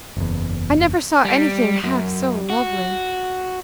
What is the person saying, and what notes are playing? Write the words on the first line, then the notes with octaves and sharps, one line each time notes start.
"I never saw any thing half so lovely."
F#1 E2
G3
F#2
F#4